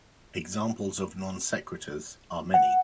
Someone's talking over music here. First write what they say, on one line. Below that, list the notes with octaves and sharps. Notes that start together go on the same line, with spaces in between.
Examples of non sequiturs are many.
F#5